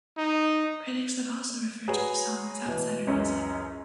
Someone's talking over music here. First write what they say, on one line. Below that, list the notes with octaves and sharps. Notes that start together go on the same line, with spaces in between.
Critics have also referred to the song as outsider music.
D#4
F#4 G#4 B4 C#5 A#5
B2 E3
C#2 F#2 E3 G#3 C#4 D#5